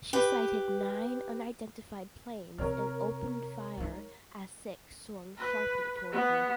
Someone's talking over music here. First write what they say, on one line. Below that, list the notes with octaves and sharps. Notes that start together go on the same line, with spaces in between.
She sighted nine unidentified planes and opened fire as six swung sharply toward her.
G4 B4
C3 A#4 C#5 F6
G#3 D#4
B4
B3